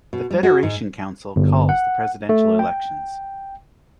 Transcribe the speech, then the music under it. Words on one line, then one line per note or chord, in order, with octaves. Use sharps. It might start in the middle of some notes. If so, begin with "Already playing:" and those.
The Federation Council calls the presidential elections.
B2
G3
F#4
G#2
G1
F#5
A3
G5